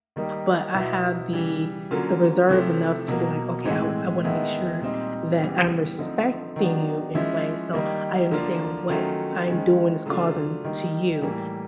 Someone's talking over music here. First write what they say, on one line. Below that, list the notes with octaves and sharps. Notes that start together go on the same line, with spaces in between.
but I have the the reserve enough to be like, "Okay, I w I wanna make sure that I'm respecting you, in a way, so I understand what I'm doing is causing, to you."
D#3 G3 A#3 D#4
B2 F#3 B3 E4
C#3 E3 G3
D3 F#3 A#3 C#4 F4
C3 F3 A3
B2 F#3 A#3
A2 E3 G#3 C4
D#3 G#3 B3 E4
A#2 G3 C4 D#4
C#3 E3 G3 B3
D3 F3 A3 C4 D#4
D#3 F#3 B3 D4
F3 G#3 C#4 E4
D#3 G3 A#3 D#4
D3 F3 A#3 D4 F4
D#3 F#3 A3 C#4 F4
D#3 G#3 C#4
C#3 F#3 A3 D4 F4
D#3 G3 A#3 D#4
A2 E3 G3 A#3